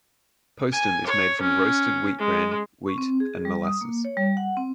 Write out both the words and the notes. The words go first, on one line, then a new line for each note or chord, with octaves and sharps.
Postum is made from roasted wheat bran, wheat and molasses.
G#5
C#5
C#4
G#3
C#6
C4
G#4
G3
D#6
A#3
C#5
G3
F#5
C4